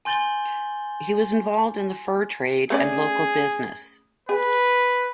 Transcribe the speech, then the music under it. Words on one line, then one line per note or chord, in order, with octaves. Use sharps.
He was involved in the fur trade and local business.
G#5 C6 G6 A6 F#7 G7
A3 C#4 G#4 D5
G#4 B4